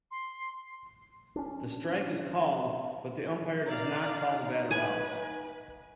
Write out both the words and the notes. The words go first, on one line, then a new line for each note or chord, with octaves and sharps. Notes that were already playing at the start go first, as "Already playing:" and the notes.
The strike is called, but the umpire does not call the batter out.
C6
C#4 D4
D#4 D5 F5 A#5
B4 G#5